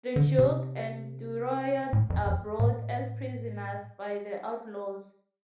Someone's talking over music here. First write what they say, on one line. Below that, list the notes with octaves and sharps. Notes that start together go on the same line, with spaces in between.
The Duke and Thurio are brought as prisoners by the outlaws.
D3
C3
A2
F2
F2
A2